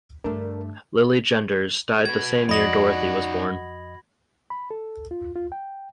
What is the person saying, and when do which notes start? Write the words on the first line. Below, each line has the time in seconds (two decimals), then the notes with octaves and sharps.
Lilly Genders died the same year Dorothy was born.
0.24 G2 D3 A3 D4 A#4
2.05 F#4 B4 G#6
2.49 F2 D#4 F#4 D5 D#5 B5 A#6 F#7
4.50 B5
4.71 A4
5.11 F4
5.36 F4
5.52 G5